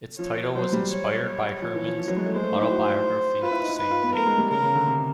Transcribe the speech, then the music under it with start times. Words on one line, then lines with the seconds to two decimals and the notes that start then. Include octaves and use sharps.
Its title was inspired by Herman's autobiography of the same name.
0.19 F3 C#5
0.55 F#3 C5
0.73 G3
0.91 C#5
1.26 C#5
1.62 F3
1.74 E3
1.87 F3
1.98 F3
2.08 F#3
2.16 G#3
2.26 A3
2.34 G#3 C5
2.43 A3
2.53 D#4
2.61 E4
2.70 F#4
3.42 F4 B4
3.51 E4
3.61 D#4
3.69 E4
3.78 D#4 B4
3.90 F4
4.02 B3
4.15 A3 A#4
4.26 G#3
4.38 G3
4.50 C#3 A#4
4.62 C#3
4.75 D3
4.86 C3